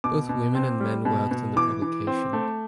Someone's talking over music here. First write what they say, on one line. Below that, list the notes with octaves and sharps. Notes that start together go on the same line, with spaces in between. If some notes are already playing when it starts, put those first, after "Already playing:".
Both women and men worked on the publication.
B2 D6
B2
C4
G3
B2
B2
E3 D6
E3
C4
A3